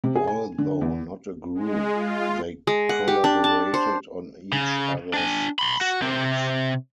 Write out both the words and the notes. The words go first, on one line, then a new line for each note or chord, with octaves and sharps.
Although not a group, they collaborated on each other's songs.
C3
G#4
G#5
D3
E2
G#3
F4
G#3
F#5
G4
D4
A5
C5
C#3
D4 G#5
B5 C6
F#4
C3 C4